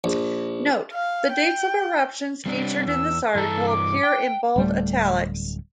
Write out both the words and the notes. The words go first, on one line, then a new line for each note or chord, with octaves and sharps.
Note: The dates of eruptions featured in this article appear in bold italics.
A#1
F5
G5
G3 C4 D4
E2 E6
G2 E3 A4 A#5
D6
G5
D1 G3 A3